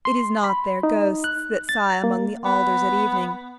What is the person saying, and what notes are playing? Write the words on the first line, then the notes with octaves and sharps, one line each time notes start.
It is not their ghosts that sigh among the alders at evening.
C6
B5
D#4
F#6
A6
A#3
B3